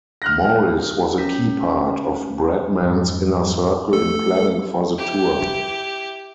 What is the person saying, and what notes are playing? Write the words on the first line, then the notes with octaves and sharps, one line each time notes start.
Morris was a key part of Bradman's inner circle in planning for the tour.
F6 F#6 A#6
C#4 A#4 B6
F2 G#2
A3 A4
E4 G4